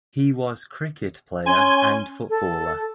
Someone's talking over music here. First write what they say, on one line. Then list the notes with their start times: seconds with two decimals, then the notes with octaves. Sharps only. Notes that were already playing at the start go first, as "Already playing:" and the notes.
He was cricket player and footballer.
1.46 C#4 G#5 C6
2.30 A4